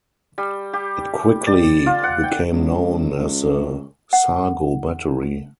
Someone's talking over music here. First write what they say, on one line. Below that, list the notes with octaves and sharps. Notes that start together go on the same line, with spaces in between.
It quickly became known as the "Sargo battery".
G3
G4
D5
F4
F#5
G5
C#2
F#5